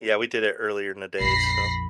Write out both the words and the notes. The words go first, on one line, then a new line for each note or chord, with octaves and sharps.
Yeah, we did it earlier in the day, so.
A#1 F2 B5 A#6 C7